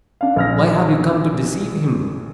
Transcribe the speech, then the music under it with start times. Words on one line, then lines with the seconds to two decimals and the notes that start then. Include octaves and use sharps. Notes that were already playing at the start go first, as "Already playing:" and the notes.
Why have you come to deceive him?
0.21 D4 F5
0.36 A#1 F6 A#6